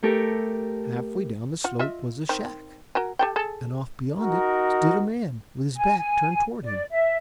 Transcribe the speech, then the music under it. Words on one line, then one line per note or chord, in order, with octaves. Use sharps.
Halfway down the slope was a shack and off beyond it stood a man with his back turned toward him.
A3 G4 A4 A#4
F4 F#5
F4 D#5 E5
D#3 C4
F#4 A#4 G#5
G4 A4 G5
G#4 A4
D#4 F#4 A#4
G#5
G#5
D5
E5